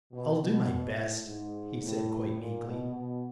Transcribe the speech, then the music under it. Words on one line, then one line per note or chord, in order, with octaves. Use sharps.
"I'll do my best," he said, quite meekly.
B2
B2
A2
G#2
A2
A#2
B2
B2